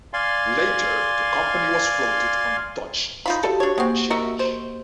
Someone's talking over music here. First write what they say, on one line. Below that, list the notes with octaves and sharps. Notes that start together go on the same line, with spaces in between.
Later the company was floated on the Dutch stock exchange.
D5 F5 G#5 C6
D#4 F4 F5 B5
F#4 G4 A4
D4 C#5
G#3 A#3 C4 F#5 C#6
F#4 A#4 D#5 E5
C5